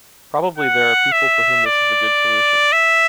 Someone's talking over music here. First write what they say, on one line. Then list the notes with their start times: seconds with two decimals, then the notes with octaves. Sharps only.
Probably there are people for whom this is a good solution.
0.58 F#5
1.12 E5
1.66 D5
2.73 E5